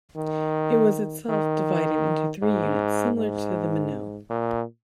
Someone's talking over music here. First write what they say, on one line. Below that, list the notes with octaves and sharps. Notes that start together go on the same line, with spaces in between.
It was itself divided into three units, similar to the "minot".
D#3
D#3
G#2
G#2
A#2